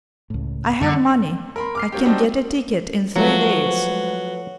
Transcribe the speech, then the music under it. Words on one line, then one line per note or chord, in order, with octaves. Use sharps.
I have money, I can get a ticket in three days.
C#2 A2
F#2 D3 G3 B3
A#4 B5 C6
D6 F6 C7
F#3 A#3 C#4 G4
G3 C4 D4 D#4 F#4 G4
F3 F#3 G#3 A3 B4 C5 F#5